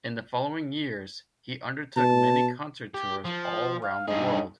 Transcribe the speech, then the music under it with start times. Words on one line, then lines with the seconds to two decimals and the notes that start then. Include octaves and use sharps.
In the following years he undertook many concert tours all round the world.
1.97 B2 A5
2.94 G4
3.25 F3
3.83 F5
4.08 G2 D#4 G#4